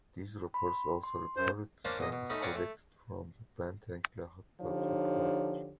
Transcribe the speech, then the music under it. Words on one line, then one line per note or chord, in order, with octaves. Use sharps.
These reports also referred to samples collected from the Benteng Lahad Datu cluster.
B5 C6
C6
F#2 C5
A#3 C#4 D4 C5 D5 F5
E2 A#2 D#5
B2
A3 C#4 D#4 B5
C4 C#4 C#5 D5 F5 F#5
A3
D3 F3 D4 D#4 G4 C#5